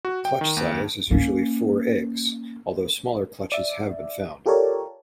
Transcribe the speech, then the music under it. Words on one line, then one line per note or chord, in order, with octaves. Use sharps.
Clutch size is usually four eggs, although smaller clutches have been found.
F#4
G5
D#3
D#2
A#3 C#4
D5 E5
F4 G4 A4 A#4 C#5 D5